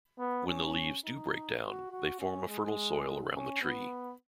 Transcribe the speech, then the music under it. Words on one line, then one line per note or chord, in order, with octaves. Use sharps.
When the leaves do break down, they form a fertile soil around the tree.
B3
C#4
D#4
F#4
F#4
C#4
G#3
C#4
B3